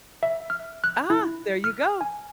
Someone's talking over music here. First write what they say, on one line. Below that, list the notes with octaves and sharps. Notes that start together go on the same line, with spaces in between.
Ah, there you go!
E5
F6
F#6
E4
F6
G#5